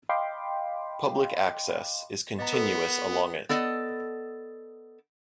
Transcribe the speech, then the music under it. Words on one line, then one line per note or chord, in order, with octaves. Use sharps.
Public access is continuous along it.
D#5 F5 G5 B5 C6 D6
B3 D#5 A#5
F#4 A4 A#4
B3 A4 D5 D#5